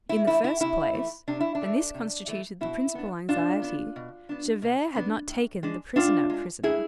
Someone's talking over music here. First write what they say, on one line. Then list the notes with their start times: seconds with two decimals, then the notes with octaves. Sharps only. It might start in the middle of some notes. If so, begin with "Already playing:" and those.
In the first place, and this constituted the principal anxiety, Javert had not taken the prisoner prisoner.
0.09 E4
0.27 E3 A3 E4
0.44 E4
0.60 C3 E4
0.94 E3 A3
1.28 C3 D4
1.41 E4
1.55 D4
1.61 E3 A3
1.94 C3
2.28 E3 A3
2.61 B2 E4
2.95 B3 D4
3.29 B2 D4 F4
3.62 B3 D4
3.96 B2
4.29 B3 D4
4.62 B2
4.96 B3 D4
5.29 A2
5.63 G#3 D4
5.96 A2 D4 F4
6.30 G#3 D4
6.63 A2 E4 G#4